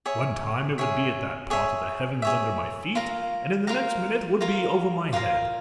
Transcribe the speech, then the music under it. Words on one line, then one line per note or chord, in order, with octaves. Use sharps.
One time it would be at that part of the heavens under my feet, and in the next minute would be over my head.
G#4 C#5 E5
G#4 C#5 E5
G#4 C#5 E5
G#4 C#5 E5
F4 A#4 F5 A#5
F4 A#4 F5 A#5
F4 A#4 F5 A#5
F4 A#4 F5 A#5